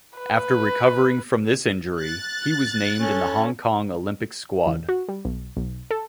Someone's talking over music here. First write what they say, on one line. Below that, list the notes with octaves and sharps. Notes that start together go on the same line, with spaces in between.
After recovering from this injury, he was named in the Hong Kong Olympic squad.
B4
F#6 A6
C#4 A4
E2
F#4
G3
B1
B1
A4